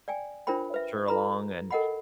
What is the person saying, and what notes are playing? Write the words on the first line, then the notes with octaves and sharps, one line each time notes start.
coach her along and
D5 G5 G#5
D4 F4 A#4 C5 G5 B5
B4 E5
F4 A4 B4 A#5 B5
A4 A#4 D#5 F#5 G5 B5